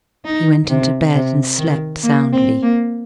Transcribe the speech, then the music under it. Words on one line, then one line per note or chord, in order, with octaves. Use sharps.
He went in to bed and slept soundly.
D#4
C3
C3
D#3
A#3
C4
A#3